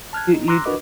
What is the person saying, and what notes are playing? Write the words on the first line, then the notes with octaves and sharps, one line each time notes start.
You you ju
A5 F6 F#6 G#6
D#4
A#5 C6 D6 E6 F#6 A#6
D4 F#4 A#4 B4 D#5 D6